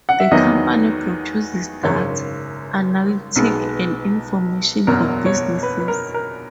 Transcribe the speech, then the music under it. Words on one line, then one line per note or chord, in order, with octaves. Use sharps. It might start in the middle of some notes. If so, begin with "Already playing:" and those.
The company produces data, analytics and information for businesses.
F#5
E5
E2 D#3 F#3 B3 D#5
G#1 F#2 C#3 C#5
B1 B2 G#3 B3
F#1 E2 B2 F#3 A#4
C#5
B4
B4
A#4
A#4